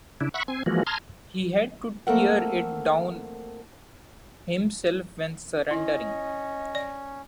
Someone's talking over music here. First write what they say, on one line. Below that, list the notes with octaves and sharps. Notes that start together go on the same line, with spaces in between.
He had to tear it down himself when surrendering.
C#3 D4 E4
E5 F#5 B5 C#6
C4 G#5
E3 F3 G#3 A#3 F#4
A5 A#5 C6 D#6 F6 G#6
A3 A#3 C4 A4 A#4 F#5
C#4 E4 D#5
D5